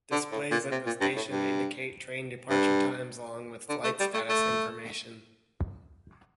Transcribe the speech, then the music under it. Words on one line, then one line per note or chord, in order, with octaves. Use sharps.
Displays at the station indicate train departure times along with flight status information.
D3
A2
A#2
C3
A#2
G2
A2
G2
G2
D3
A3
G3
A3
A3